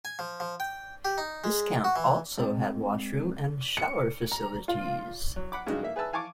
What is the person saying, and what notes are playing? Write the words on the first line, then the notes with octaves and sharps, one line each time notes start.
This camp also had washroom and shower facilities.
G#5
F3
F3
G5
G4
D#4
G#3
F#4
E3
G#3 C4
C#7
A#5
F4
F#3
F#5 B5 D6
G2 C#3 G#3 D#4 F#4
A#3 E5
G#4 B4 E5 A5 E6
F5 G#5 A5 C#6 D6